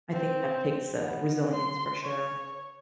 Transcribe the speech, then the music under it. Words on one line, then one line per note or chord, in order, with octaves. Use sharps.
I think that takes, uh, resilience for sure.
C4
B3
C6
C#5